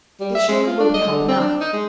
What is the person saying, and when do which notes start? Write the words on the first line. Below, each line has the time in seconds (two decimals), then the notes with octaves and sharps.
"They surely will be help enough."
0.21 G3
0.35 E5
0.48 G#3
0.67 F4
0.80 D4
0.94 D#5
1.07 D3
1.28 C4
1.40 D4
1.61 D#4
1.73 G#3